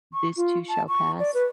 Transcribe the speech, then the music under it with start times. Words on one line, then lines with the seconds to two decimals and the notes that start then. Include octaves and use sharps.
this too shall pass.
0.14 C#6
0.37 F4
0.68 A5
0.88 C#6
1.20 D5
1.34 B4